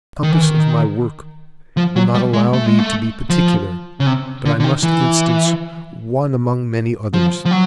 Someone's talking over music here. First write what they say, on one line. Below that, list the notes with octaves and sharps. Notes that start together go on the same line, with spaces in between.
The compass of my work will not allow me to be particular; but I must instance one among many others.
D#3
E3
D#3
F3
F#3
G3
G#3
A3
G#3
A3
F3
C#3
C3
D3
D3
D#3
E3
F3
F3
F#3